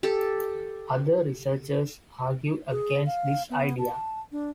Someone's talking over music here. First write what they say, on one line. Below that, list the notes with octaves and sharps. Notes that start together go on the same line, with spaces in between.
Other researchers argue against this idea.
G4 A4
G#4
F5
B3
A5
D4